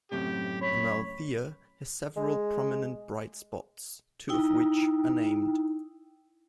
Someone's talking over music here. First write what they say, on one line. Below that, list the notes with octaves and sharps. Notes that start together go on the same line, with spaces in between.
Amalthea has several prominent bright spots, two of which are named.
F#2 A2 C3 G4
C#5 B5
G#3
D#4 E4 G5